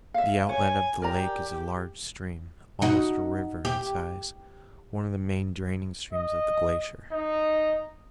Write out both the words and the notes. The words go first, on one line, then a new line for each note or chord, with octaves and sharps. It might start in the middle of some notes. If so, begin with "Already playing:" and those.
The outlet of the lake is a large stream, almost a river in size, one of the main draining streams of the glacier.
E5 F5
C#5 G#5
G4 A#4 D5 A#5
D#4 F#4
G4
D#5
D#4